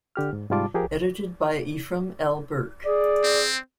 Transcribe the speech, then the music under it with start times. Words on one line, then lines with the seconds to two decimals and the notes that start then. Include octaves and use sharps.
Edited by Efram L. Burk.
0.16 D3 G4 F6
0.33 G#2
0.50 G#2 C3 G3 F4 A5 D6
0.74 F3 G4 G#4 A#4
2.86 G#4 D5
3.24 C4